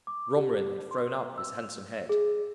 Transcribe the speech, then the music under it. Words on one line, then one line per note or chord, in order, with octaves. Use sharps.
Romarin had thrown up his handsome head.
D6
G4
C6
E6
G#4